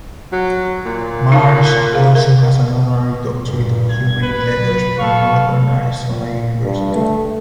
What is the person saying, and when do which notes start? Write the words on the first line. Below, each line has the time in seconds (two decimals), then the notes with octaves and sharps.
Marsh also has an honorary Doctorate of Humane Letters from Northern Arizona University.
0.33 F#3
0.85 A#2
1.32 D#4 F5 A5
1.93 G#4 F5
2.15 A#4
3.46 G2 A#2
3.90 G#6
4.22 A1 B4
4.53 F#3
4.99 A4 F5 C#6
6.10 A#2
6.64 G2
6.96 A3